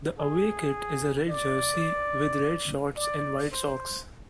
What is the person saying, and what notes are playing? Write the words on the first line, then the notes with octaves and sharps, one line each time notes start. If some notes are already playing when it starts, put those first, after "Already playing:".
The away kit is a red jersey with red shorts and white socks.
G#4
D5
D5
C5